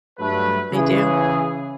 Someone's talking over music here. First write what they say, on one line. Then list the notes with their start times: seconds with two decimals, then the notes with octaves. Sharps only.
They do.
0.19 G2 F#3 A3 B4
0.72 C#3 E3 G#4